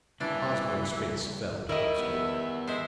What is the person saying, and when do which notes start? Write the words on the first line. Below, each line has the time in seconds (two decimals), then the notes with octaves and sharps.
Osborne's face fell once more.
0.20 C#3 E3 G3 A#3 D4
1.69 D#3 G3 E4 A#4 D#5 E5
1.99 B3 E4
2.67 G#3 C5 E5